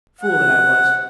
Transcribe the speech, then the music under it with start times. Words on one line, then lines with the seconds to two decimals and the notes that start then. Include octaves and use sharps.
Fool that I was!
0.21 F#5